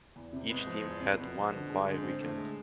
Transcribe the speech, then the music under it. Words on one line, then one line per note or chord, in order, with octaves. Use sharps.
Each team had one bye weekend.
E2
C3
G#2 G#3 B3
F3
E2
C3
B2 B3
F3
D3
G#3
G#2 D3
C4
A2 D3
G#3